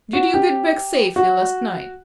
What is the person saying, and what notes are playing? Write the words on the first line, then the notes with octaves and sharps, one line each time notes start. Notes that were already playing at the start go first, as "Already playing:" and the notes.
Did you get back safely last night?
F#4
G4
F#4